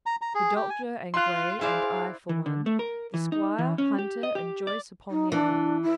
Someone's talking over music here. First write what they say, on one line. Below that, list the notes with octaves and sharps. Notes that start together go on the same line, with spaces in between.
The doctor and Gray and I for one; the squire, Hunter, and Joyce upon the other.
A#5
A#5
G#4
G4
G#5
F4 C6 F#6
E4 G#4 C5 D5 F5
E3
D3
A3
A#4
E3
D#4
E3
C#4
G4
D#5
G4
D5
D#4
E3 D4
E4